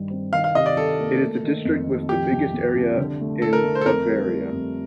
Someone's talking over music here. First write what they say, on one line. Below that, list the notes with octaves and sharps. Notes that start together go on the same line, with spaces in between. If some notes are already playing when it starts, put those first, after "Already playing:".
It is the district with the biggest area in Bavaria.
Already playing: G2 D#3 G3
C4
D#3 F5
F5
C3 D#5
D5
D#3 A4
A#3
A3
D#3
F2
D#3
F3 G4
C2
C2
C2
D3
A3
A3 A4
A#4
A3
C5
A4
F2 A#4
G3
G3
F2